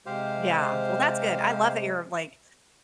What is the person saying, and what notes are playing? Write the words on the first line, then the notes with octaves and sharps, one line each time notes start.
Yeah. Well that's good, I love that you're like
C3 G#3 G4 C5 F5